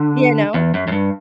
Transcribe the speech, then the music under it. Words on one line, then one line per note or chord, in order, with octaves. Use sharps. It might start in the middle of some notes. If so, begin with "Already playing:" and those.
You know?
Already playing: D3
E2
F#2
F#2
G2